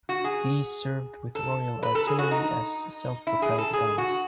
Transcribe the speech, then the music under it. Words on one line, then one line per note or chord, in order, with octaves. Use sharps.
These served with Royal Artillery as self-propelled guns.
F#4
G#4
A4
B4
A4
G#4
F#4
D#4
E4
G#4
A4
G#4
F#4